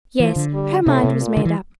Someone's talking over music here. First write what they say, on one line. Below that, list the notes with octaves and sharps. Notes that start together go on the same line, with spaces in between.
Yes; her mind was made up.
E3 F3
D3
G3
A2 C3
C3
A#2
D3
E3